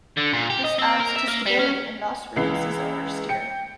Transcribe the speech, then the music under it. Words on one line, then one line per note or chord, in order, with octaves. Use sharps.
This adds to stability and thus, reduces oversteer.
D3
A#2
G4
D#5
C4
A#4
E5
A#3
G3
C#4
C#2 E3 C7
G5 C#7